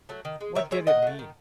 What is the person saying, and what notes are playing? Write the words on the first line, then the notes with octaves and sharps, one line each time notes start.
What did it mean?
F#3 A3
D#3
G#3
D#3 C#5 E5
G#3 C#5 E5
D#3 D#5 F#5
F#3 A3
D#3